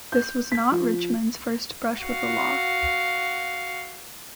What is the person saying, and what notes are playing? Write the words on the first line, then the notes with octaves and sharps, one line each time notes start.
This was not Richmond's first brush with the law.
G6
B6
F3
F#4 F5